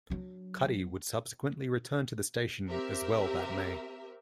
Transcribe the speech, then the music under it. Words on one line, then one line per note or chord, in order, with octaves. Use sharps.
Cuddy would subsequently return to the station as well that May.
F#3 D4
C4 G4 A#4 E5